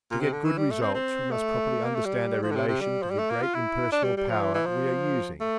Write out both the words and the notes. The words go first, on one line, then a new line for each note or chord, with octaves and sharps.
To get good results we must properly understand our relation to the great impersonal power we are using.
A#2
C3
D3
E3
G3
A3
C4
C4
A3
A#3
A3
G3
F3
D3
C3
C3
G3
F3
G3
A3
A#3
F4
E4
D4
G3
G3
F3
E3
E3
F3
A3